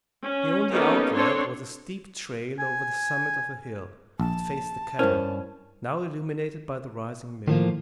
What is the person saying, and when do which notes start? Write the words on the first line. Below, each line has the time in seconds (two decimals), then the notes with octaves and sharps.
The only outlet was a steep trail over the summit of a hill that faced the cabin, now illuminated by the rising moon.
0.23 C#4
0.71 A#3 B3 C#4 D#4 G4 A4
1.14 C4 D4 A4 C#5 C6
2.59 G#5
4.20 A#1 A5
4.99 G2 C#4 E4 A#4 C5
7.47 A2 D#3 F3 A#3